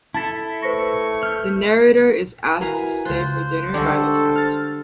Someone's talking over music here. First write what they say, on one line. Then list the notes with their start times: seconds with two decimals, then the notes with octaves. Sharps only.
The narrator is asked to stay for dinner by the count.
0.14 E4 A4 A5 A6 B6
0.62 A3 B4 C5 C#6 A#6
1.23 F6 G6
2.61 E4 F#4 A#4 B4 F5 G#5 A#5
3.05 C#2 F4 C5 F#6
3.74 D3 G3 G#3 A4 D5 C#6
4.36 F6 A6